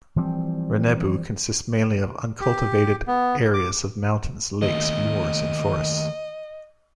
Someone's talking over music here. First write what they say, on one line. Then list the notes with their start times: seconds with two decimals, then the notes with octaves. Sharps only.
Rennebu mainly consists of uncultivated areas of mountains, lakes, moors, and forests.
0.16 E3 F3 G3 C4
2.41 G4
3.07 B3
3.54 D6
4.62 D#3 A3 A#3 D#5